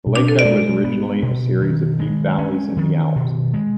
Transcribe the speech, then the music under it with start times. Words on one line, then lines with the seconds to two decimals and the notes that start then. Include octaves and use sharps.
The lake bed was originally a series of deep valleys in the Alps.
0.06 B2
0.45 G#3
0.84 B3
1.23 B2
1.61 D#3
2.00 G#3
2.38 C#4
2.77 D#3
3.16 B2
3.54 G#3